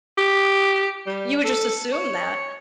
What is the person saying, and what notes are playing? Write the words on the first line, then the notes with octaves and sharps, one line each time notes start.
You would just assume that.
G4
G3
A4
C#5